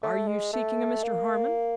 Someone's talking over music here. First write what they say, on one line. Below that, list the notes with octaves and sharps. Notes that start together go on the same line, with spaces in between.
'Are you seeking a Mr Harmon?'
A3
G#3
A3
A#3